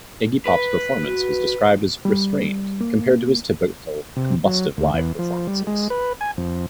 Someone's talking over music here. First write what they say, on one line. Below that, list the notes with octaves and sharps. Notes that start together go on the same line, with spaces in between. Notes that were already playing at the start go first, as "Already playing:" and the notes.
Iggy Pop's performance was described as "restrained" compared to his typical "combustive live" performances.
B4
F#4
G3
A#3
C3
F#3
D2
E2
F3
G3
G#3
B4
G#5
F2